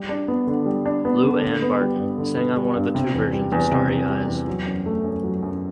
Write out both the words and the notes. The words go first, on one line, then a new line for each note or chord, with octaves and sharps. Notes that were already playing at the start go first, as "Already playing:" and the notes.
Lou Ann Barton sang on one of the two versions of "Starry Eyes".
Already playing: G3
D4
B3
D3
G3
D4
B3
D3
D3
B3
G3
G2
D3
B3
G3
G2
C3
E2
G3
E2
C3
E2
G3
E2
F#3
F#2
A3
F#2
F#3
F#2